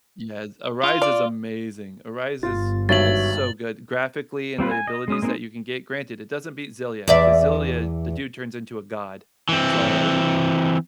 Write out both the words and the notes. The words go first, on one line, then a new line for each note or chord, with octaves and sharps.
Yes, Arise is amazing. Arise is is so good graphically and the abilities that you can get, granted, it doesn't beat Xillia 'cause Xillia, the dude turns into a god, so
F4
D5
G1 F4 A6
G#1 G2 F#4 C#5 E5 A6 F#7
G3 C4 F4 B4
G#5
D#5
G#3 C#4 D#6
G#3 A#3 C4 D4 D#4
E2 D5 E5
E3 C4